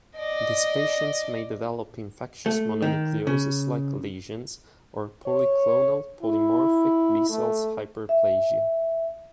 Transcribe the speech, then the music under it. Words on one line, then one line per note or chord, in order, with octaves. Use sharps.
These patients may develop infectious mononucleosis-like lesions or polyclonal polymorphic B-cell hyperplasia.
D5 D#5
A3
D#3
C#3
C#5
E4
A3
E5